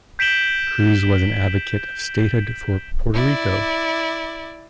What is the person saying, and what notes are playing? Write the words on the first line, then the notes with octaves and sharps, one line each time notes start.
Cruz was an advocate of statehood for Puerto Rico.
G6 B6 D7 E7 F#7 G7
E4 D5